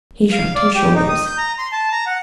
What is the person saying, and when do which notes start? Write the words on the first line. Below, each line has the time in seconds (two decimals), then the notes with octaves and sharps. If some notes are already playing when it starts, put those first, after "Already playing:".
He shrugged his shoulders.
0.32 F5
0.55 D5
0.75 G4
0.95 D#4
1.09 D#6
1.26 G6
1.38 A#5
1.58 C6
1.72 A5
1.92 A#5
2.06 F#5